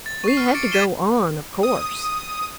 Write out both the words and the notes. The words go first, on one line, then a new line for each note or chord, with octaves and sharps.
We had to go on, of course.
A6
C#6 C7
F6
D6 A6 C#7 D7
G#6 A6 B6 D#7 E7 G7
D#6